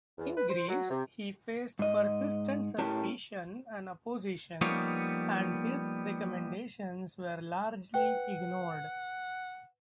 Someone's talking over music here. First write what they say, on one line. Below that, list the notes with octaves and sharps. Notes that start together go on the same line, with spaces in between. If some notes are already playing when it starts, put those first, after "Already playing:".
In Greece, he faced persistent suspicion and opposition and his recommendations were largely ignored.
E2
B4
C5
F#3
C3
G#2 D#5
A2 C#4 G4 A#4 A5
F3 G3 A#3 B3 D#4 C#5
B4 F#5 G5